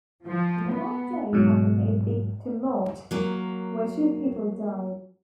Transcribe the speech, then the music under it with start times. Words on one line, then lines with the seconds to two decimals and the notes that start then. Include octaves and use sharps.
On that day happened a big tumult, where two people died.
0.25 F3
0.72 B3
1.33 G#2 B2 F#3
3.11 F#3 A#3